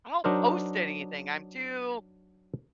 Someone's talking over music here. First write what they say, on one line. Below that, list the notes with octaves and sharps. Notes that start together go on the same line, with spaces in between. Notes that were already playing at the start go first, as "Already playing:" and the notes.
I don't post anything, I'm too
F#3 D4 D#4 A#4 C5